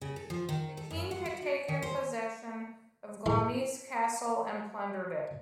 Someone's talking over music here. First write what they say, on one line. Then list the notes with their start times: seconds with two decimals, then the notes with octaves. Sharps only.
The king had taken possession of Glamis Castle and plundered it.
0.01 C#3
0.16 A4
0.30 F3
0.49 D#3
0.77 A4
0.91 F#2
1.11 F#5
1.26 F#4
1.42 D4
1.68 D#3
1.82 C5
3.26 G#3 E4 A4 A#4 F5